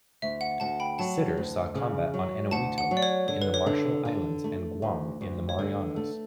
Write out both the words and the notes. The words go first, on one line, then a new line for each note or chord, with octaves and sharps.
Sitter saw combat on Eniwetok in the Marshall Islands, and Guam in the Marianas.
D2 E5
F#5
D2 F#5 A5
G5 B5
F#3 F#5 A5
D2
C#3
F#3
D2 F#5 A5
F#5
F#3
D5
C#5
D3 C#5
B4
C#5
D3
D3
A3
D2
D2
C#5
D3 B4
A3